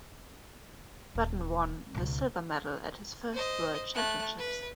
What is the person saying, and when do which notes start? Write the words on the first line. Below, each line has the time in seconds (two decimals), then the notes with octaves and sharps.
Button won the silver medal at his first World Championships.
1.15 D#1
1.95 C#2 B2
3.33 C5 D#5
3.95 A3 F#6
4.39 B4